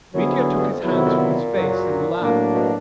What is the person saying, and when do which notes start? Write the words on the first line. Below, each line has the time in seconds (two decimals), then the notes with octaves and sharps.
Mitya took his hands from his face and laughed.
0.13 F#2 D3 F#3 B3 E4 G#4
0.25 F2
0.36 E2
0.59 G2
0.71 F2
0.82 E2 C3 D#3 F#3 B3 E4
0.94 F2
1.05 F2
1.17 A#2
1.52 F#2 C#3 F#3
2.20 A2 F#3 A#3 D4
2.55 B2